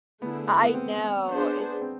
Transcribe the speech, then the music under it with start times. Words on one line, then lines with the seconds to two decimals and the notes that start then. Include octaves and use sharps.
I know. It's
0.21 D3 A3 B3 E4 G#4
0.62 B3
0.74 C4
1.28 B3 D4 G#4 C5
1.81 C4